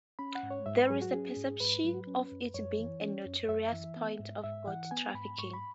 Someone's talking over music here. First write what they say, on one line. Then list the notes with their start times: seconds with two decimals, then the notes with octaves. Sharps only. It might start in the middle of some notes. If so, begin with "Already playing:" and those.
There is a perception of it being a notorious point of goods trafficking.
0.19 C#4 B5
0.35 F#5
0.43 G#2
0.51 C#5
0.66 G#2 E5
0.78 B4
0.90 F#3 G#4
1.02 F#4
1.14 C#4 G#4
1.37 G#2
1.60 G#2 B4
1.84 F#3
2.07 C#4
2.32 F#2
2.54 F#2 C#5
2.79 E3
3.02 C#4
3.26 F#2
3.49 F#2 E5
3.73 E3
3.96 B3
4.20 G#2
4.44 G#2 E5
4.67 E3 F#5
4.91 B3 G#5
5.14 G#2 B5
5.38 G#2 C#6
5.54 B5